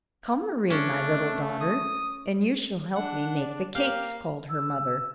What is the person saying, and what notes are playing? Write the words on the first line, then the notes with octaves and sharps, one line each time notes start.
"COME, Mari, my little daughter, and you shall help me make the cakes," called her mother.
A3 C#4 D4
D#6
D4 F#5
D5
A#3 G4 F5
E6